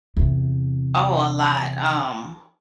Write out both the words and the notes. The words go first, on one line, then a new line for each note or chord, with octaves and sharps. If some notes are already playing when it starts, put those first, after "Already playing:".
Oh, a lot. Um,
E2 C3